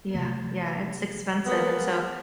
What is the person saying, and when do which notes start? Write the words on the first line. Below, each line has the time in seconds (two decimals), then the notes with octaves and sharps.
Yeah, yeah it's expensive, and so
0.15 C3 F3 A3
1.44 G#3 A#3 B3